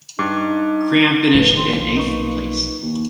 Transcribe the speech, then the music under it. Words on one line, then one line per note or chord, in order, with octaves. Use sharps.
Cram finished in eighth place.
G2 D#4
D#1 A2 F3 D4 B4
D#3 C4 C6
B1 F3 A#3
D#4 B4 C#6
D#2